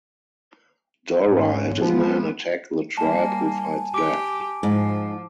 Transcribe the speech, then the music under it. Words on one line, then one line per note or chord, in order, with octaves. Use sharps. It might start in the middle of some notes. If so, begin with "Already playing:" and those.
Dora and his men attack the tribe who fights back.
G#2 C#4
F3 G#3 B3
G3 A#3 G#5 A5
G4 D6 D7
G#2 F3